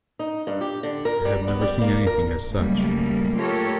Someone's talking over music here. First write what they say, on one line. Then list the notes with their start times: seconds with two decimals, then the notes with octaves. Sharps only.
I have never seen anything as such.
0.19 D#4
0.47 G2
0.61 G4
0.83 D3
1.05 A#4
1.25 G3
1.47 B3
1.61 G3
1.81 A#3
2.07 A#4
2.53 C#3 F#3 G3 A3 A#3
3.37 A3 F4 G4 A4 A#4 C#5